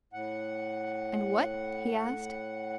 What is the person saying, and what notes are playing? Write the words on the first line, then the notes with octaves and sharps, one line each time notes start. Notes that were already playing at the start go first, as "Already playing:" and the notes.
"And what?" he asked.
A2 F#5